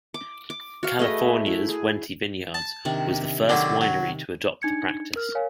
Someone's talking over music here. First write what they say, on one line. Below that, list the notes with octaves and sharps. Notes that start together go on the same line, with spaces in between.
California's Wente Vineyards was the first winery to adopt the practice.
D6
D6
F#4 F5
A3 G#4 B4 D#5
E4
G#4
A5
C3 D#3 D4
D3 D#3 F#3 D4
F#3
D4 D#4 G#6 C#7
A#4 F6
A#4 C#5 F5 G#5